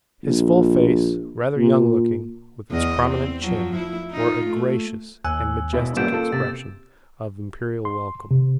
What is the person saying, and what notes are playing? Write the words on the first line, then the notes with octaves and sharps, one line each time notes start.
His full face, rather young-looking, with its prominent chin, wore a gracious and majestic expression of imperial welcome.
A#1
A#2
E2 D#5
C4
F3 F#3
E4
D#4 F4
A3
D#2 G#5 E6 F#6
B2 E4
G3 A#3 B3 C#4 F4 G6 D7 E7
F4 A4
C3 A6
C6
C3